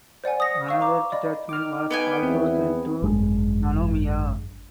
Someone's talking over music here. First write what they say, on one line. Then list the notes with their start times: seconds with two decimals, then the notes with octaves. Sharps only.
Another detachment was also sent to Nanumea.
0.24 C5 D5 F#5 G#5
0.40 D#6 A#6 C#7
0.67 F5 C#6 E6
0.81 A#5 D6
1.12 D5 D#5 B5
1.49 D#3 D6 F6
1.91 B3 G5 G#5
2.23 E2 C4 E4
3.02 G#1 F#2 G#3 D4